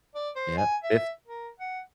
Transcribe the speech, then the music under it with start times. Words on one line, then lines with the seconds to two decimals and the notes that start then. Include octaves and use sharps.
Yeah, fif
0.15 D5
0.36 C5
0.57 G#5
0.83 E5
1.28 A#4
1.60 F#5